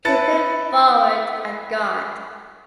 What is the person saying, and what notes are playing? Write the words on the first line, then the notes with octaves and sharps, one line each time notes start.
He played forward and guard.
E4 B4 A5 A6 C#7